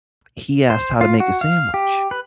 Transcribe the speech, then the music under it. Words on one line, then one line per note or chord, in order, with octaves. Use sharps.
he asked how to make a sandwich.
C5
F4
F#4
F5
G4
B4